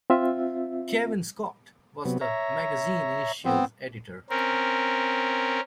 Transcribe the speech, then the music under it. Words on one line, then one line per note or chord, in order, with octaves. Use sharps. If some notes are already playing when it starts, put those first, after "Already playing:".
Cavan Scott was the magazine's initial editor.
C4 F4 E5
C3 F#3 B3
C#5 E5 A#5
F3 B3 C4
C4 C#4 A#4